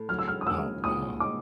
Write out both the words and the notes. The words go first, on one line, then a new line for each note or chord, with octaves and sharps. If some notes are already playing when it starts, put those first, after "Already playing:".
Oh, wow.
Already playing: A2
F#3 F6
E6
F6
D#6
A#3 E6
A#2 D#6
D#4 D6